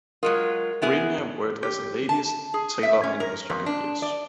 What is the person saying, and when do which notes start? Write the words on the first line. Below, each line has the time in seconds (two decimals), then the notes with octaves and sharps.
Reimer worked as a ladies' tailor in his younger years.
0.23 F#3 G#3 F4 A#4 D#6
0.82 B3 E4 G#4
1.63 G4
2.09 A5
2.54 G#4
2.83 E5
3.03 C#4
3.20 A#4
3.50 F2
3.66 D4
4.02 D5